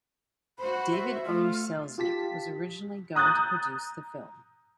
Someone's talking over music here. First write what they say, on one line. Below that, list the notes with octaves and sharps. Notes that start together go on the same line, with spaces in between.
David O. Selznick was originally going to produce the film.
F#4 C5 B5
E5
A3 F4
F4 G4 A5 B6
A#5 D#6 F#6 G6 A6